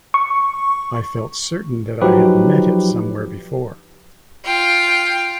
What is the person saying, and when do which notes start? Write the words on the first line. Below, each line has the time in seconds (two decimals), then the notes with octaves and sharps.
I felt certain that I had met it somewhere before.
0.14 C#6
2.01 F3 F#3 D#4 F#4 G4 B4
4.45 F4 G5